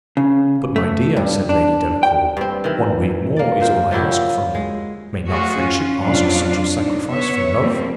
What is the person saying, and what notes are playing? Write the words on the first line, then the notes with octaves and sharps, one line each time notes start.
"But, my dear," said Lady Delacour, "one week more is all I ask from you--may not friendship ask such a sacrifice from love?"
C#3
A3
G2
D4
G5
G2 C4
D#3 E3
A#3 D5
A#2 A#3 C5
F3 F#3 E4 G4
G#3
A3 F4 F#4 G#4
C#4 F4
F2 F#3 D4 F4 F5
D4 D#4
B3 C#5 E5
F3 G3 A#3 C4